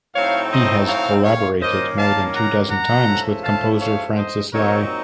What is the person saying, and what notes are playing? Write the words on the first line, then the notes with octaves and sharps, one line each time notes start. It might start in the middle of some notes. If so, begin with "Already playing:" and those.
He has collaborated more than two dozen times with composer Francis Lai.
A2 F#3 C4 D#4 C#5 F5
C5 D#5
C#5 F5
C#5 F5
D#3 A#3 C#4 C5 D#5
F5 A5
F#5 A#5
F#5 A#5
F3 A3 C#4
F5 A5
C#5 F5
C5 D#5
A#2 F#3 C4 D#4 A#4 C#5